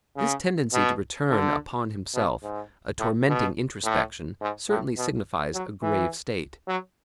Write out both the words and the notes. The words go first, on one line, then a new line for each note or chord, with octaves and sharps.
This tendency to return upon himself, a tormenting introspection, certainly signifies a grave state.
C#3
B2
D3
B2
G#2
A2
B2
A2
G#2
A2
B2
F#3
E3
F#3